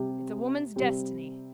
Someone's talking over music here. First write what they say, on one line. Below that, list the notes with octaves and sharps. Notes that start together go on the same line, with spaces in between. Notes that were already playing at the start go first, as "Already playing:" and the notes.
It's a woman's destiny.
Already playing: C3 G3 C4 G4
C3 G3 C4 G4